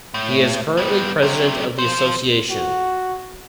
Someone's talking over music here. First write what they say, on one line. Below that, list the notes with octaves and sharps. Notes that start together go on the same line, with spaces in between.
He is currently president of the association.
A2
G3 B3
C3 F#3
F3 C5
F#4